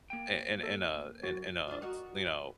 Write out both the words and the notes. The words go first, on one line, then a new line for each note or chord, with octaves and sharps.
i in in a in in a, you know,
A#3 G5
A4
F#2 F#4 A6
D4 F4
F#4 A#4 D#5
B4